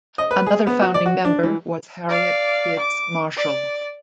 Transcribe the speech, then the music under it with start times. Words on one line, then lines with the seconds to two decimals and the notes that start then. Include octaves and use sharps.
Another founding member was Harriet Gibbs Marshall.
0.18 D#5
0.31 B4
0.46 G#4
0.67 B3
0.82 F#4
0.94 D5
1.06 F#4
1.25 D4
1.43 E3
2.09 D5 F5
2.79 D6
3.37 D5